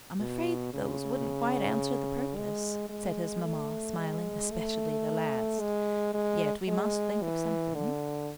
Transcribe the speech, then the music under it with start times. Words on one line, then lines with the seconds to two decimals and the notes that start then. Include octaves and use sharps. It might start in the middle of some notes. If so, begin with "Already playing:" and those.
"I'm afraid those wouldn't quite answer the purpose," said his mamma, smiling--"especially the last; yet we must think of something."
0.20 B2
0.73 C#3
2.36 G#3
2.89 G#3
3.43 A3
3.98 G#3
4.52 A3
5.60 G#3
6.13 G#3
6.68 G#3
7.22 E3
7.75 D3